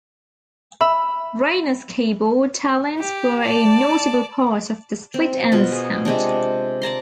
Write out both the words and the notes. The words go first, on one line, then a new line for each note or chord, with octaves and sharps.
Rayner's keyboard talents were a notable part of the Split Enz sound.
E5 B5
G4
D5 A5
C4
B2 F4 B4
G#4
C3 G#3 C4 D4
D5 A5 A#5 C6